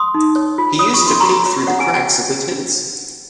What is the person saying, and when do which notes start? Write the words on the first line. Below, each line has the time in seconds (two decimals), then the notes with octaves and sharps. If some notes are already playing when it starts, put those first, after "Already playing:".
He used to peek through the cracks of the tents.
Already playing: C6 D#6
0.15 D#4
0.36 C#5
0.58 F4
0.79 C#5 D#6
0.94 C#6
1.02 F4
1.07 C6
1.20 F#4 A#5 C#6
1.46 C#5
1.67 C#5 F#5
1.80 G#5